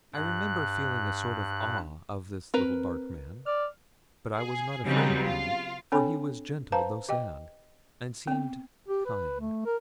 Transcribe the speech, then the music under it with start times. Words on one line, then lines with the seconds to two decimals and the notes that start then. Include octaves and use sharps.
I remember feeling a sort of awe of this little dark man; but I was not afraid of him, for he was gentle, though sad--and seemed kind.
0.14 G2 F#6
2.54 C4 A#4 B4 A#5
3.46 D5 F6
4.37 G#4
4.84 C#3 F#3 G3 B3 C4 D#4
5.24 F4
5.92 C4 D4 A4 C#5 G#5 B5
6.72 B4 C5 F5 A5 A#5
7.09 G4 D#5 G5
8.27 B3 C4
8.88 G4
9.06 B4
9.40 A3
9.66 A#4